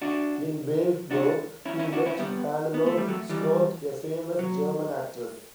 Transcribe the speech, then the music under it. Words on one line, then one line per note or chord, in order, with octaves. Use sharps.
In Babelsberg he met Hannelore Schroth, a famous German actress.
D4 F#4
D4 F#4
C#4 E4
C#4 E4
D4 F#4
C#4 E4
G3 B3
B3
A3
G3
F#3 A3
E3 G3
F#3